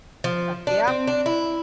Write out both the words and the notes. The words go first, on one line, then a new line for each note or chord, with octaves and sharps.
he's like, "Yep.
F3
D4
C4
D4
E4